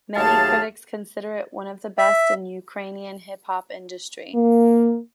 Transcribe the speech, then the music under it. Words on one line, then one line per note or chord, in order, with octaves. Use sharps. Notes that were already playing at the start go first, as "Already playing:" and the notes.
Many critics consider it one of the best in Ukrainian hip-hop industry.
D#2 F#3 A3 G#4 F5 A5
E5
A#3